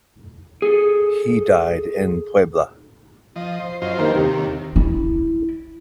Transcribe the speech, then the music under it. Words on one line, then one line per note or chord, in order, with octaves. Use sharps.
He died in Puebla.
G#4 A4
F3 D#5
C5
F#2 F4 C5 D#5
D#3 G3 A#3 D#4 A#4 C5
D#2 C3
E4